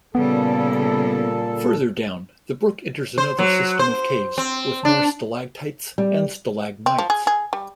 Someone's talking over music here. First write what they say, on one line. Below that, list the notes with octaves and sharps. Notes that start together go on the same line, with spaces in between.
Further down, the brook enters another system of caves with more stalactites and stalagmites.
A#2 C#3 G3 B3 A4
C5
F#3
C5
C4
D4
G3
C4
F3
G#4
G#4
G3